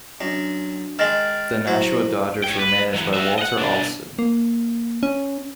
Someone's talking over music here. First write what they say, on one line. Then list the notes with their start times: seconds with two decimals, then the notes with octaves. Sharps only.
The Nashua Dodgers were managed by Walter Alston.
0.21 F#2 D4 F#4
0.99 D#3 G#3 F6 A6 A#6
1.67 F#3 E4 C5
2.44 C#5 G5
2.59 B4
2.94 E3 F#3
3.14 F#4 E5
3.39 D#5 F#5
3.57 B2 D4
4.19 A#3
5.03 C#4